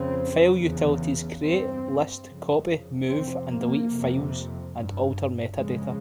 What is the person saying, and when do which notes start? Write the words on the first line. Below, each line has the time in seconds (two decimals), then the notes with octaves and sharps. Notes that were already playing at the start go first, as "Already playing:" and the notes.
File utilities create, list, copy, move and delete files, and alter metadata.
Already playing: F2 C#3 C4
0.60 E2 C#3
1.43 G2 C4
2.25 F2 C#3
3.07 F2 C3 C4
3.49 A#3
3.90 F2 C3
4.72 G2
5.54 F2 C#3 G#3